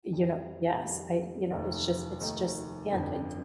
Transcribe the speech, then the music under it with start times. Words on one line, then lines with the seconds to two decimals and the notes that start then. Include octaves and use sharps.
you know yes, I you know, it's just it's just, and eh, j
0.13 F2 D#3 G3
0.82 F2 D#3 G3
1.51 F1 D#2 D#3 A3 D#4
2.20 F1 D#2 D#3 A3 D#4
2.90 G1 F2 D3